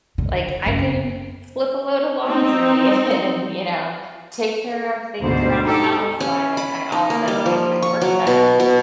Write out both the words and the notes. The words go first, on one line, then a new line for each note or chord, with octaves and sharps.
like, I can flip a load of laundry and, you know, take care of things around the house while I also get my work done," and
D3
F#1
C4 D#4
D2 G#2 B2 C5
D#4 G4 A4
C#4
B5
D#4
A#3
G3
F3
C#6
F#3
B2
B2